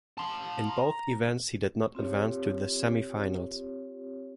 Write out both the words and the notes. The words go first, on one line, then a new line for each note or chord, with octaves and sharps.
In both events he did not advance to the semifinals.
A5 C6
A#5
C4 F4 G4 C#5